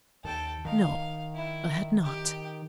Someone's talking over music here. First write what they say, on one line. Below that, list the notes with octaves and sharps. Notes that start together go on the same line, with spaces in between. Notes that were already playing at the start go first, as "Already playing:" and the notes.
No, I had not.
D#2 A4 G5
D#3 F5
E4
G4 G5